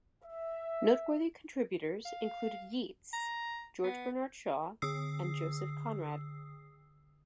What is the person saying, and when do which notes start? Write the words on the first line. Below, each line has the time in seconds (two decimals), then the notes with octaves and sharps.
Noteworthy contributors included Yeats, George Bernard Shaw, and Joseph Conrad.
0.24 E5
2.05 F5
3.13 A#5
3.84 B3
4.82 D3 D#6 E6 C7